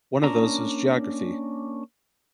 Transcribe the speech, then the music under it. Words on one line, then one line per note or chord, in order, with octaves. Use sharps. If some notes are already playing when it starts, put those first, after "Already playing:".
One of those was geography.
A#3 C#4 D4 A#5